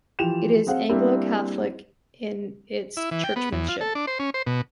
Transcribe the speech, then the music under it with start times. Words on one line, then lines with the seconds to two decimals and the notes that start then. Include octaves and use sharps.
It is Anglo-Catholic in its churchmanship.
0.19 E3 F3 G4 G5 E7 F7
0.66 F#3 C4 G#4 C5 F5 F#5
0.89 G3 A#3 C4 D4 E4
2.97 E4
3.11 E3
3.24 G5
3.36 B3
3.52 E2
3.69 F4
3.81 A4
3.95 D4
4.07 C5
4.19 C#4
4.34 C5
4.46 B2